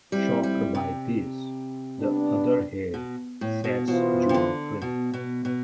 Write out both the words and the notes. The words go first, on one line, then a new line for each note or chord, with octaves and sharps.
Shocked by this, the other head sets June free.
A2 F3 G3 C4 E4
G3
C3
G3 B3 D4
B2
A2
B2
B2 E3 B3 F4 C5
C3
D3
B2
B2
B2